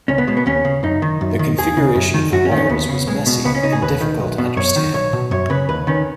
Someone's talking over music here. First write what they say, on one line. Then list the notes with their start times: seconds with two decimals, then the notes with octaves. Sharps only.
The configuration of the wires was messy and difficult to understand.
0.08 C#2 C#4
0.18 B3
0.27 B2 G#3
0.37 B3
0.46 D#2 C#4
0.65 C#3
0.83 F#2 D#4
1.02 D#3
1.21 F#2
1.39 D#3
1.58 D#2 G#4
1.77 C#3
1.96 F#2
2.14 D#3
2.32 F#2 F#4
2.45 C#4
2.52 D#3
2.58 C#4
2.69 D#2 B3
2.89 C#3
3.07 B1 G#3
3.26 B2
3.45 C#2 B3
3.55 C#4
3.63 C#3 D#4
3.73 G#4
3.82 D#2 B4
4.01 D#3
4.20 B1
4.38 B2
4.57 F#2 C#5
4.76 D#3
4.94 B1 C#5
5.13 B2
5.31 F#2 C#5
5.50 C#3 B4
5.69 D#2 B4
5.87 D#3 C#4